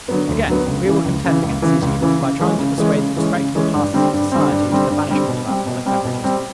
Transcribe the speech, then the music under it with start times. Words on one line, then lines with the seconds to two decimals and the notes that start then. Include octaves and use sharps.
Again: we will contend against these evils by trying to persuade the respectable classes of society to the banishment of alcoholic beverages.
0.08 D3 F#3 B3
0.28 D2
0.47 D3 F#3 B3
0.66 C#2
0.85 C#3 E3
1.05 C#2
1.24 C#3 E3
1.43 C#2
1.62 C#3 E3
1.82 C#2
2.01 C#3 E3
2.20 C#3
2.39 E3 G#3 C#4
2.59 C#3
2.78 E3 G#3 C#4
2.97 C#3
3.16 E3 G#3 C#4
3.36 C#3
3.55 E3 G#3 C#4
3.74 G2
3.94 D3 G3 C4
4.13 G2
4.32 D3 G3 C4
4.51 G2
4.70 D3 G3 C4
4.90 G2
5.09 D3 G3 C4
5.28 B2
5.47 G3 C4
5.66 B2
5.86 G3 C4
6.05 B2
6.24 G3 C4